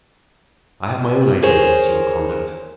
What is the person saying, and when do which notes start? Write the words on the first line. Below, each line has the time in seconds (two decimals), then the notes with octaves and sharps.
"I have my own ideas as to your conduct."
1.43 G#4 A#4 C5 C#5